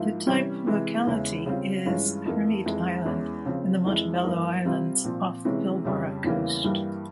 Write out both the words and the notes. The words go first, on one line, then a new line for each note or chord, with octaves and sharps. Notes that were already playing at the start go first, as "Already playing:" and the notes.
The type locality is Hermite Island in the Montebello Islands off the Pilbara coast.
Already playing: G#2 F3 A#3 E4
C3 E3 G3 C#4
C3 E3 G#3 E4
E2 C#3 E3 G#3 E4
C#3 G3 C4 F4
G2 E3 G#3 C#4 F4
F2 E3 A#3
F2 E3 G#3
E2 E3 G#3 C#4
C#3 F3 C4
F2 E3 G#3 E4
G2 E3 A#3
C3 G3 C4 F4
A#2 F3 C4
C3 E3 G#3 C#4
F2 C#3 G3
E2 C#3 E3 G3 A#3
G2 E3 G3 A#3